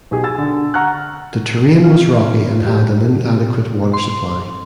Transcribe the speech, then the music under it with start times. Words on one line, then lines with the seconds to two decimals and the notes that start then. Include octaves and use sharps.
The terrain was rocky and had an inadequate water supply.
0.11 B1 G4 G#4
0.23 G#5 E6 A6
0.38 D3
0.74 F#5 A#5 C#6 F6 F#6
1.84 F4
2.66 G4
3.93 C6